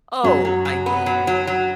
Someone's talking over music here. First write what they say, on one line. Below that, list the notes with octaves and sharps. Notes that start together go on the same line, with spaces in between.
Oh, I mean, w
F#2 F#3
F#3
F#3
B3
F#3
F#3
F#3